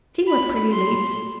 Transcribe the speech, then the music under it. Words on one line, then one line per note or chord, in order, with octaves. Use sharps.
"See what pretty leaves."
B5
C6